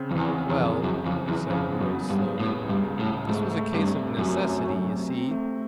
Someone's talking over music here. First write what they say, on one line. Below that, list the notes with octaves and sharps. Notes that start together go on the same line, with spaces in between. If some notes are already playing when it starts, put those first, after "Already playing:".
"Well," said Roy slowly, "this was a case of necessity, you see."
Already playing: C#3 C4
F2
E2 E3
C4
E2
F2 C#3
F#2 E3
F2 C#3
E2 E3
F2 C#3
B3
F#2
B3
G2
B3
A2 B3
C#2
G2
C#2
A2
C#2
G#2 A3
A3
G2 C3
A3
F#2 C3
A3
A3
C3
C4
A3